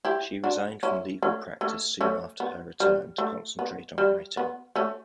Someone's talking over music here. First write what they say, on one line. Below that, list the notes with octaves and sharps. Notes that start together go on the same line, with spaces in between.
She resigned from legal practice soon after her return, to concentrate on writing.
E4 G4
D4 F#4
C#4 E4
A3 C#4
A3 C#4
A3 C#4
B3
G3
A3
B3
G3
B3
A3 C#4